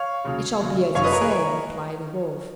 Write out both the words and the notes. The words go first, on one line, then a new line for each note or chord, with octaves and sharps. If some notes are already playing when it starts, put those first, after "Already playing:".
"It shall be as you say," replied the Wolf.
Already playing: C#5 F5
D#2 C#3 F#3
D#2 C#3 F#3
F#1 F#2 F3 C#5 F5
B4 D#5
A#4 C#5
G#4 B4
A#4 C#5